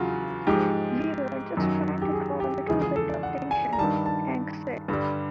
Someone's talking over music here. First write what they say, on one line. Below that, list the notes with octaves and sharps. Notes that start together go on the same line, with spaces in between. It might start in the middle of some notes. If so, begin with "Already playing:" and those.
"We were just trying to draw a little bit of attention," Hank said.
Already playing: E2 C#3 F#3 F4 F#4
G#2 F3 G#3 G4
F#2 D#3 F#3
G4
G#4
G4
E2 C#3 F3 G#3 G#4
G#4
A4
D5
F#5
G#5
A#5
G2 D#3 G3 A5
A5
G2 D3 G3